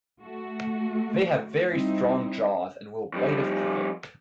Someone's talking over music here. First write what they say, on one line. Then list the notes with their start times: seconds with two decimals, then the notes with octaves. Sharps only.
They have very strong jaws and will bite if provoked.
0.22 A3 F#4
1.71 G3 C4 D#4 E4
3.14 F2 G3